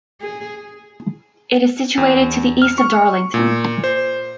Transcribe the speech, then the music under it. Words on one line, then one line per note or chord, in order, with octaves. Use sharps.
It is situated to the east of Darlington.
G#4
E2
F6
C#6
A#2
C5